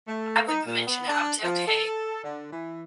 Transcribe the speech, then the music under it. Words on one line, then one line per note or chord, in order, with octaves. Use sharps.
I would mention it," I would say, "Okay,
A3
D#4
A#2
B3
D4
F3
A4
D3
E3